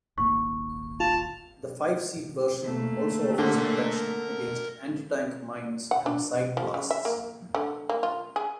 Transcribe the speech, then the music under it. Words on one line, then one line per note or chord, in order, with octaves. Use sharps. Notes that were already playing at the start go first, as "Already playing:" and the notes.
The five-seat version also offers protection against anti-tank mines and side blasts.
D#1 G#1 A#3 C#6
F4 A5
A3 A#3
D3 A#4 C6
F#5
D4
F3
C#3
E5
A#3
D3
A#3
F4
G#4